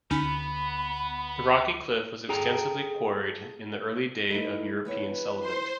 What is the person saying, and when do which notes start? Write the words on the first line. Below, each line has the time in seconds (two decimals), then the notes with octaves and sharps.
The rocky cliff was extensively quarried in the early day of European settlement.
0.11 D2 B3 C#4 D#4 B5
2.29 G#4 A4 G5 A#5
4.31 E3 A3 D#4
4.85 E3 B3 B4 C#5
5.40 C5 C6